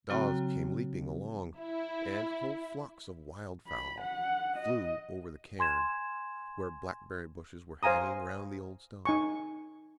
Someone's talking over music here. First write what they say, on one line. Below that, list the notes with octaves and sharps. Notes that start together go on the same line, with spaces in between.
The dogs came leaping along, and whole flocks of wild-fowl flew over the cairn, where blackberry-bushes were hanging round the old stones.
C#3 F#3 C4 F#4 G5 A#5
E4
B5
F#5
D#5
G#5 C6 G#6 E7
C5 F5 G#5 A#5 D#6
D#4 G#5 C#6